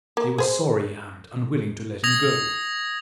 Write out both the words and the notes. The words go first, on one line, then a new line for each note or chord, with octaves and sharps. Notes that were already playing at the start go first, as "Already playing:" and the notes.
They were sorry and unwilling to let him go.
A#3
G#4 C5
D#6 G#6 A#6 F7